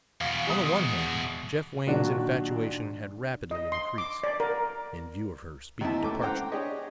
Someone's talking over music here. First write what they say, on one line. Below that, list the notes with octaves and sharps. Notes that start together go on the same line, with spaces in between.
On the one hand, Jeff Wain's infatuation had rapidly increased, in view of her speedy departure.
E2 B2 F5
G#3 D#6
A#2 D#3 F#3 D4 F#4
D#5
C6
D6
D5
A#4
D#2 C4 D#4 E4 A5
C#2 A3 D6
C5 F#5 G5 A#5 D6
D4 G4 G#4 C#5 D#5